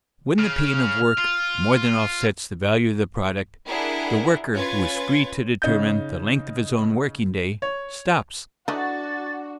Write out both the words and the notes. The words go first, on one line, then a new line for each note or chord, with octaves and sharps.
When the pain of work more than offsets the value of the product, the worker who is free to determine the length of his own working-day, stops.
C#3 F6
F4
D4 E4 G4 G#4 A#4 F#5
C#4 F4 B4 G#6 A6
C#3 D#4 G6
C#5
E3 A3 D4 D#4 F#4 A6